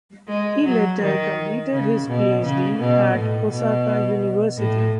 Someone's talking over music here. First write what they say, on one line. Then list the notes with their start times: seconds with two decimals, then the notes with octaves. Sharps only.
He later completed his Ph.D. at Osaka University.
0.28 G#3
0.65 F#3
1.00 D#3
1.72 C#3
2.08 B2
2.43 C#3
2.79 B2
3.14 A2
3.50 B2
4.57 A2